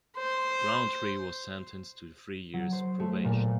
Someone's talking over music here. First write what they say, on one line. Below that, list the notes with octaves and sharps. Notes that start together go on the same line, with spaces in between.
Rountree was sentenced to three years probation.
C5
F#3
C5
A3
A#2